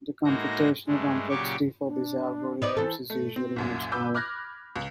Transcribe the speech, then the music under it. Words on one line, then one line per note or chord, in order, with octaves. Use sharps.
The computational complexity for these algorithms is usually much higher.
A2 G#3 A#3 D#4 F#4 A#6
G2 G#3 A3
A#2 C#3 F#3 G4 C#6 D6
D4
B3 D#4 C5 D5
E3 A4
A3
C4
C2 F#2 A#2
B4 D6 E6 G6
B5 D6 F6 F#6 G#6 A#6
C#2